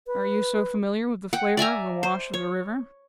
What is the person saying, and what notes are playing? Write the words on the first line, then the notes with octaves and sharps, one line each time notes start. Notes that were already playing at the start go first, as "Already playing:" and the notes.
'Are you so familiar with the flavour of the wash of the river?'
B4
F#5 G5
D5 E5 G#5 A#5
C5
C#5